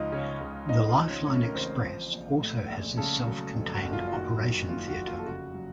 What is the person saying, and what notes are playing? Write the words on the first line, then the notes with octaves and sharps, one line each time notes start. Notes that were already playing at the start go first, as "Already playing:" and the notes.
The Lifeline Express also has a self-contained operation theatre.
Already playing: C#2 F3 D#4 F4 D#5
C#3 C#4 C#5
C#2
F3 D#4 D#5
F4 F5
A1
C#4 C#5
A2 C#4 C#5
A#4
A1 C4 C5
F3
A#1
A2
A#1
C#3 A3 A4
F#3
F2
F#4
F#1
F4
F4
D#3 F#4
F#3
D#2 F4
F#4
F1
F4
A4
C#3 F#4
F#3